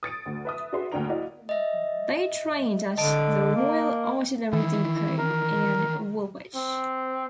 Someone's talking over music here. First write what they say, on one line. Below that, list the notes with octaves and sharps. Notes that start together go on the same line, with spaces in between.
They trained at the Royal Artillery Depot in Woolwich.
D#6 A6 C#7 D7
D2
B4 E5 D#6
D4 F#4 G#4 B4 E5 C6
D2 A#3 D4 G5 A#5 F7
E4 F#4 D5 D#5 F5
D#5 E5
D3 D#5 A5 D7
A#3
D#3 E3 E4
A#4
C4